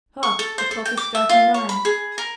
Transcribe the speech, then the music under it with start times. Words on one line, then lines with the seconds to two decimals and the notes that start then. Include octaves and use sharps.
Hark! the clock is striking nine.
0.23 C#6
0.39 A4
0.58 C5
0.71 A4
0.85 G5
0.97 D6
1.15 E5
1.29 F4
1.54 C#5
1.69 B5
1.85 G#4
2.18 A#4